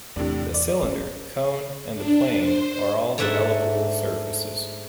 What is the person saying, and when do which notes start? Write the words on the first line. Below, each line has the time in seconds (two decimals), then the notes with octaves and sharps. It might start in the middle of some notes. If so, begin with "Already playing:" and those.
The cylinder, cone and the plane are all developable surfaces.
0.16 E2 A2 C3 D4
0.54 D5
0.83 C#4
1.94 D4
2.40 C5
3.18 G#2 A3 D4 E5 F#5